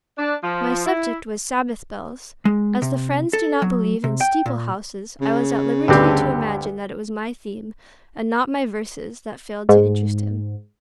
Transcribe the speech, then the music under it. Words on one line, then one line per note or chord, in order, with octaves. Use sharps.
My subject was "Sabbath Bells." As the Friends do not believe in "steeple-houses," I was at liberty to imagine that it was my theme, and not my verses, that failed to interest him.
D4
F3
E4
G#3
C3
A4
F#3
C3
G5
A#2
C#3
D2 G2 D3 B3 C4 G4
G#2